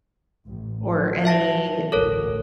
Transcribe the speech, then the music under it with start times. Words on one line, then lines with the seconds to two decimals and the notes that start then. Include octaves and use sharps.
or any
0.45 A1
0.93 F#3
1.25 E5 A5 A#6
1.92 A1 D2 A4 A#4 C#5